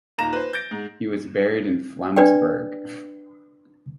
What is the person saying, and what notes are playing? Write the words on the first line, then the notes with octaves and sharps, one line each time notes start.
He was buried in Flensburg.
D#1 A#3 D#4 A#5 A#6 E7
B4 C5
G6 A6 A#6 D7
G#2
D4 B4 D5 G5